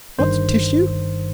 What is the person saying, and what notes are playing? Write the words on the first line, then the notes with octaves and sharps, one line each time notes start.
"What's tissue?"
G1 G2 D#3 C5